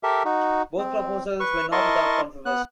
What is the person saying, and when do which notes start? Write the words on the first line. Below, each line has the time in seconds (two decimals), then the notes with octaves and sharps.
Both proposals were not without controversy.
0.03 G4 A4 A#4 E5
0.25 D#4 F#4
0.78 C4
1.40 B4 C#6
1.72 E4 A#4 D#5 A5 C6 C#6
2.46 B3 F#6